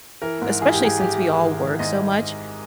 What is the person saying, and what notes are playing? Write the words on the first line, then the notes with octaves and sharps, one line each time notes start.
especially since we all work so much,
E3 A#4
G#2
E3 G#4
G4
G#2 G#4
E3 G4
E3
G#1
G#1
G#2 D#5